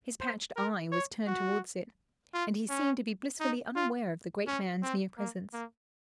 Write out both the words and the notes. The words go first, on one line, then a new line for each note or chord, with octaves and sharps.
His patched eye was turned towards it, and he seemed to be blissfully unaware of the great man's near presence.
C5
A#4
C#5
F#4
F4
C#4
D#4
F4
C#4
C4
A#3
A#3